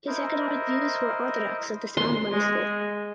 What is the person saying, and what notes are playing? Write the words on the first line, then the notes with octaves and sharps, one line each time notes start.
His economic views were orthodox of the sound money school.
E4 A#4 C5 D#5
C6
G#3